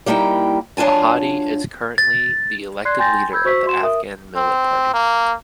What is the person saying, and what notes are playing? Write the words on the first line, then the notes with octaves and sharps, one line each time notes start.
Ahady is currently the elected leader of the Afghan Millat Party.
G3 A#3 D#4 E4 G5
F#3 D4 F4 G#5 A5
A6
D5 C6 F#6 G#6 C7
G5 G#5 C6 G6 A6 A#6
B5 E6 G6 G#6
F#4 C5 C#6 E6 B6
F#4 C6 E7
A#4 E5 D#6
C4
A#3